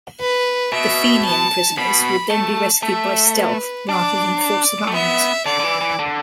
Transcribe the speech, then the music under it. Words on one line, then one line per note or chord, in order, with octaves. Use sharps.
The Fenian prisoners would then be rescued by stealth rather than force of arms.
B4
B2 E5
A5
B2 B5
A3 A5
A3 E5
B4
D4 D5
D5
A3
B3 E5
D3 D5
D3
E3
E3
D3